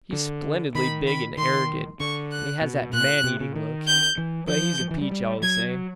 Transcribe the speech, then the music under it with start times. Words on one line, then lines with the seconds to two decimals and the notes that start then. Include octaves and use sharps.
He's splendidly big and arrogant, and has that man-eating look, but he's a peach all the same.
0.13 D3
0.75 D#3 B5
1.07 B5
1.37 D#3 C6
2.00 D3 C#6
2.32 F#6
2.62 B2
2.93 A#2 F#6
3.24 C3
3.40 C#3
3.56 D#3
3.87 G6
4.18 E3
4.48 F3 G6
4.80 F3
4.91 E3
5.01 G3
5.11 G3
5.42 F#3 G#6